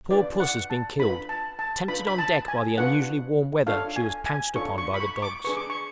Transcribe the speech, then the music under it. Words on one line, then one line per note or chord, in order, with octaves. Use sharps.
Poor puss has been killed; tempted on deck by the unusually warm weather, she was pounced upon by the dogs.
D4 F4 B4 D5
F#5
A5
D4 F4 B4 B5
A5
A5
D4 F4 B4 B5
B5
A5
G#5
D4 F4 B4 F#5
D4 F4 A4 C#5 F5
G#5
G#5
D4 F4 A4 C#5 C#6
C#6
B5
C#6
C#6
D6
D4 G#4 B4 C#6
D6
C#6